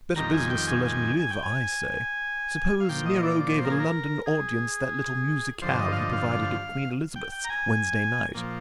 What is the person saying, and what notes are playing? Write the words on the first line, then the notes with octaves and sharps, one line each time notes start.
It's better business to let 'em live, I say. Suppose Nero gave a London audience that little musicale he provided at Queen Elizabeth's Wednesday night.
F2 D#3 G3 A#5
G#5
G5
G#5
G#5
G#5
G5
G#5
F5
A#2 F3 G5
D#5
D5
D5
C5
A#4
G#4
A#4
G#4
G2 D3 F3 C5
D#5
F5
D#5
F5
G5
G5
A#5
G#5
A#2 F3